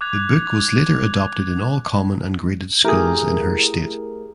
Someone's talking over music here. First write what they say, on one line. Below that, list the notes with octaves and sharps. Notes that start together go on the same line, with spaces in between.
The book was later adopted in all common and graded schools in her state.
D6 F#6 G#6 F7
A3 E4 G4 G#4 A#4